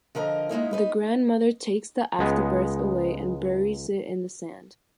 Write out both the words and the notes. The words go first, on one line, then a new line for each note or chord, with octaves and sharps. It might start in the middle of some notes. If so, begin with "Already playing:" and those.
The grandmother takes the afterbirth away and buries it in the sand.
D3 F3 A#4 D#5
G#3 A#3 D#4 E4
D#4 B4
C#2 G#3 B3